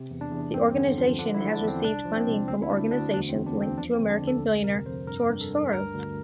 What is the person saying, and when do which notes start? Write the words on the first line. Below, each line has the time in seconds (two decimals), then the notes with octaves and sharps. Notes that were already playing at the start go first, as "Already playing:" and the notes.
The organization has received funding from organizations linked to American billionaire George Soros.
Already playing: C3
0.11 E2
0.21 D4
0.32 E2
0.54 G2 C4
0.76 D3
0.98 F3
1.19 D3 D4
1.34 E4
1.41 D3
1.52 D4
1.61 E2
1.67 C4
1.83 C2 D4
2.05 F3
2.16 C4
2.27 C2
2.48 D2 C4
2.62 E4
2.70 D2 D4
2.91 D2 D4
3.14 E2 D4
3.29 C4
3.35 E2
3.46 D4
3.57 E2 C4
3.78 F3 D4
3.94 C4
4.00 D3
4.10 D4
4.22 D2
4.27 A4
4.44 F2
4.64 C3 A#4
4.86 F2 C5
5.07 G2 A#4
5.29 G2
5.41 A4
5.51 G2
5.73 D2 A#4
5.94 D2